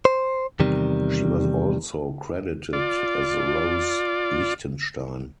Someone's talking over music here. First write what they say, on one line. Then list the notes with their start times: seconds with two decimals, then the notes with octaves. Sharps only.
She was also credited as Rose Lichtenstein.
0.05 C5
0.60 E2 C3 D#3 G3
2.73 F4 D5